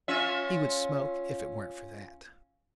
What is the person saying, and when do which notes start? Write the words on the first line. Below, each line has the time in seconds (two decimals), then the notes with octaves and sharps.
"He would smoke if it weren't for that."
0.08 C#4 F4 E5